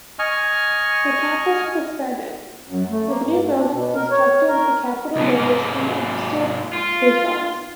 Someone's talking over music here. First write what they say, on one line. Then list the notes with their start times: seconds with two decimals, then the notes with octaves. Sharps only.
The campus was expanded, with new buildings constructed with capital raised from interested patrons.
0.19 D#5 G#5 C#6 F6
2.67 F#2
2.89 A3
3.07 A#3
3.24 G2
3.42 A3
3.56 D4
3.72 B2
3.95 A#4
4.11 C#5
4.48 A#4
5.16 C#2 B2
5.36 G#2 A#3
6.73 F4